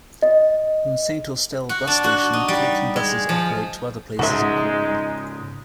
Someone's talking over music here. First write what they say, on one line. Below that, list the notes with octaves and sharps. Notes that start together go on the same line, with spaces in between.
From Saint Austell Bus Station connecting buses operate to other places in Cornwall.
D#5
F#4
D4
F#4
D#4
G3
G#3
F3
G#2 C#3 G#3 D#4 F#4 E5